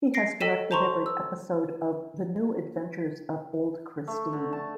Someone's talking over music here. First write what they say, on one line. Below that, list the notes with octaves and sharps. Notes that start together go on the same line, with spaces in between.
He has directed every episode of "The New Adventures of Old Christine".
A#6 C7 D7
A4 D#5 G5 B6 D#7 E7
C5 A5 A#5 C6 C#6
E6
A3
D3
A5